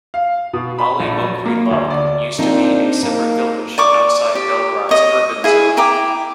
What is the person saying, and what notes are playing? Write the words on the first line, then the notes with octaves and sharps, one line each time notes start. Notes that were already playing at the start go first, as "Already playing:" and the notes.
Mali Mokri Lug used to be a separate village, outside Belgrade's urban zone.
F5
B2
B5
A#1
F#3
A#3
D2
D5
A#2 C4 D4 D#4
A#3 D#4
D5 C#6 D6
G4
C#5 D#5
E4 G#4
E4 G5 A#5 D6